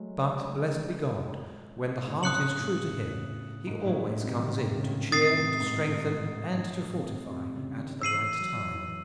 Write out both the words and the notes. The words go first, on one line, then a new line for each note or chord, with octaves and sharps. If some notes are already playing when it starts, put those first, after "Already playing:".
But, blessed be God, when the heart is true to him, he always comes in to cheer, to strengthen, and to fortify, at the right time.
Already playing: F#3 G#3 A3
G#3
A2
C3
C#3 D#6 F#6 C#7 F#7
A2
G#2
A2
A2
C3
D#3
C#3
C3 D#6 A6 C7
A2
G#2
A2
C3
C3
C#3
D#3
E3 E6 C7 D#7 F#7
F#3
E3